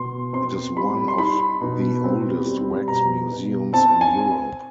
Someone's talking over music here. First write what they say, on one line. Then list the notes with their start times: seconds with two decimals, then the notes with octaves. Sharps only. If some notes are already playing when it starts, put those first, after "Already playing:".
It is one of the oldest wax museums in Europe.
Already playing: B2 C6
0.33 C4 C6
0.77 G3 B5
1.08 C6
1.18 D#4 B5
1.61 B2
2.04 C4
2.45 G3
2.88 B2 A#5
3.31 B2
3.73 C4 A5
4.01 G#5